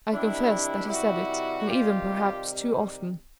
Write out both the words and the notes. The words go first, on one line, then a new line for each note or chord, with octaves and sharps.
"I confess that he said it, and even perhaps too often."
C3 D#3 G3 D4 E4
E4 F#4
F4 G4